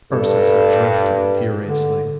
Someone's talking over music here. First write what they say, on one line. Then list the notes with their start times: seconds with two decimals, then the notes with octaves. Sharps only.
Ursus addressed him furiously.
0.12 G2 A4
1.65 D3